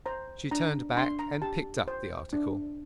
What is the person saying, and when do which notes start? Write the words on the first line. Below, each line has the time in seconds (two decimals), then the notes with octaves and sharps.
She turned back and picked up the article.
0.06 C5 A#5
0.51 D4 A#5
0.96 D4 C6
1.19 A#5
1.42 G4 A5
1.88 C5
2.33 D4